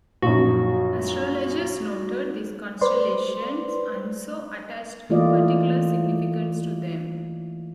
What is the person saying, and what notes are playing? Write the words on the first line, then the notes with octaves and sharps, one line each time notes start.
Astrologers noted these constellations and so attached a particular significance to them.
A#1 F#2 D#4 F#4
B4 C5 D5 C6
E3 A3 A#3 F4 D5 D#5